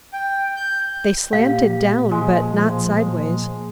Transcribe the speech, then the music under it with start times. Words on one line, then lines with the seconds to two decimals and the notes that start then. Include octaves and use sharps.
They slanted down but not sidewise.
0.13 G5
0.56 G6
1.33 A#2 G4 F5
2.11 F3 G#3